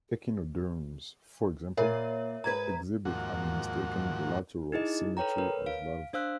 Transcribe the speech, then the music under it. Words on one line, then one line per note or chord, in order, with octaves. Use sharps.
Echinoderms, for example, exhibit unmistaken bilateral symmetry as larvae.
A#2 A#4 C#5 E5
G#2 B4 A#5 G#6
D#2 G#2 F3 A#3 F#4 F#5
D#4 E4 G#4 D#5
A4 B4 C#5 G5 A#5
A#4 B4 C#5
F5 D7
D4 C5 F5 E6 F#6